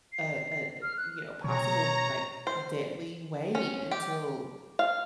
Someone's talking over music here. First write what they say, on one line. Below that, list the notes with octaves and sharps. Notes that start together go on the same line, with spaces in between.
a a a, you know, possible, like, deadly way until,
C7
C7
F6
F#6
B2 C#5 A#5
C5
C#4
G4
F5